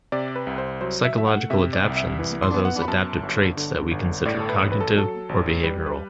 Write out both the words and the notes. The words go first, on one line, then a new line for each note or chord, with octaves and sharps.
Psychological adaptions are those adaptive traits that we consider cognitive or behavioral.
C3 D5
B4
C2
C5
F#3 C5
E5
A3 E5
F#5
C3 E5
D5
C2
E5
E3
C6
B3
F#5
B5
F#2 A5
G1
D3
G1
A2 D5
A4
B4
A1
B4
A4
F#3 A4
A1
G3 B4
B4